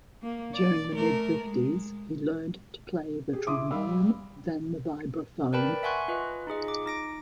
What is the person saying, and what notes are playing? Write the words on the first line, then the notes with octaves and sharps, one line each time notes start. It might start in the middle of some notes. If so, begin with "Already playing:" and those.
During the mid-fifties he learned to play the trombone, then the vibraphone.
A#3
D5
A3 A#4
G#3
G4 G#4
E4 C6 D6 D#6
G3 F5 B5 E6
A#4 B4 D5 G5 A5 B5
E5 F#5 G#5 C6 C#6 F#6
F4 B4 D#5
D#4 F4 G#4 D#5
D6
D#4 A#6 D7